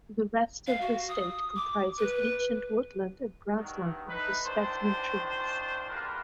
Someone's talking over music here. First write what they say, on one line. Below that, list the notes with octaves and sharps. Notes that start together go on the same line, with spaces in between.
The rest of the estate comprises ancient woodland and grassland with specimen trees.
F5
F#4
D#6
D6
B4
G2 D#3 F#3
A3 D#4 E4 B4
C#2 D#3 D4 F4 C5
E2 G3 A#3 F4 A#4 B4